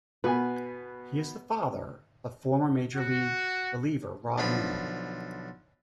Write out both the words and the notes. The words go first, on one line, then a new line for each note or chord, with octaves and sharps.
He is the father of former major league reliever Robb Nen.
B2 B3 B4 G#5
F#4
B1 D3 F3 B5